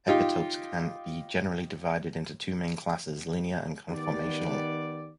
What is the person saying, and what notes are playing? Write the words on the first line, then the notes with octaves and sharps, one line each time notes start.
Epitopes can be generally divided into two main classes: linear and conformational.
D#4 F4 G4
D#3 B3 G4 D5